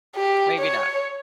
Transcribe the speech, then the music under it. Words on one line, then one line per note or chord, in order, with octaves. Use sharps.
Maybe not.
G4
C#5